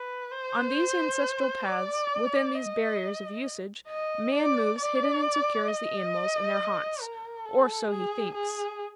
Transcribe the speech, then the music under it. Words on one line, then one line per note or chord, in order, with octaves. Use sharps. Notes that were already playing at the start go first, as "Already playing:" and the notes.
On these ancestral paths, within these barriers of usage, man moves hidden and secure as the animals in their haunts--or so he thinks.
Already playing: B4
C5
D5
D#5
D#5
D5
D5
D#5
A#4
A4
G#4
G#4